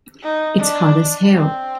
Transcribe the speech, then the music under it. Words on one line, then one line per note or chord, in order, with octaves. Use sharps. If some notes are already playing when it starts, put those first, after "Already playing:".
It's hot as hell.
D#4
D4
C4